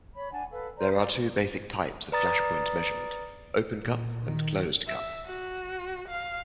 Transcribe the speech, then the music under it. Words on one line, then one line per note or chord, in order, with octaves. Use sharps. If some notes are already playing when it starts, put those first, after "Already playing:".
There are two basic types of flash point measurement: open cup and closed cup.
C#5 B5
D4 F#5 G#5 A5
A4 B4 F5
A#4 C5 D5 A#5
D5 F5 A#5
B4 D5 A#5 D#6 A6
A#2
D#3
E5
F#4
F5